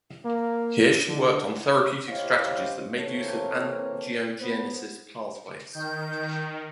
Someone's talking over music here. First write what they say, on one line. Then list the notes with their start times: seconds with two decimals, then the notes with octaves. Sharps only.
Here she worked on therapeutic strategies that made use of angiogenesis pathways.
0.25 A#3
1.07 D3
2.08 E4 G4 C5 C#5 D#5 F5
2.95 E3 A#3 C4 A4 B4 C#5
4.40 B3 C5
5.74 D#3 G6